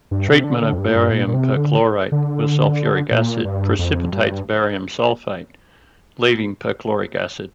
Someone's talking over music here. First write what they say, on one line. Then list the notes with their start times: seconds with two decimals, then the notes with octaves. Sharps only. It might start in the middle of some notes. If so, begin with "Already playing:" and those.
Treatment of barium perchlorate with sulfuric acid precipitates barium sulfate, leaving perchloric acid.
0.11 G2
0.28 C3
0.44 D3
0.62 D3
0.73 F2
0.78 G2
0.89 A#2
0.95 G2
1.11 A#2
1.27 A#2
1.34 C3
1.56 D3
2.12 D3
3.11 A#2
3.45 G2
3.79 F2
4.13 G2